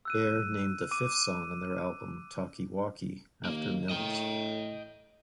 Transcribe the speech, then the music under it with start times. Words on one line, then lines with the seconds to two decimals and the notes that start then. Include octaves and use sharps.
Air named the fifth song on their album "Talkie Walkie" after Mills.
0.05 E6 F#6 D#7
0.91 D6 D#7
3.45 D#2 A#3
3.89 A2 D#5 G5